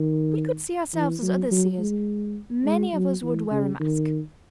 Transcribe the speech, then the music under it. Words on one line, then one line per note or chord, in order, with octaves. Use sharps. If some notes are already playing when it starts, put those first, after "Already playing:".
If we could see ourselves as others see us many of us would wear a mask.
Already playing: D#3
E3
F#3
F#3
G#3
G#3
F#3
E3
C#3
D#3